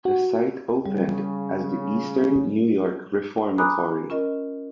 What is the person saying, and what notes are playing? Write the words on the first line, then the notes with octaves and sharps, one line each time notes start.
The site opened as the "Eastern New York Reformatory".
F#4
C#3 G3
G#5 A#5 B5 D6 D#6 F#6
C#4 F4 A#4 D#5